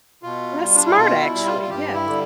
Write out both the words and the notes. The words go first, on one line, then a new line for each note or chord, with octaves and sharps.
That's smart actually, yes.
B2 F4
G3
D4
E4
B2 F4
E4
G3
F4
F4
G2 G4
E4
D3 G3